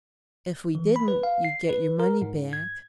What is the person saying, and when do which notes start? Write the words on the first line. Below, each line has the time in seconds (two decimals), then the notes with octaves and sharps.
"If we didn't you'd get your money back."
0.75 E3
0.96 B5
1.08 B4
1.23 F5
1.45 C7
1.69 B4
2.00 A#4
2.22 G#2
2.53 G#6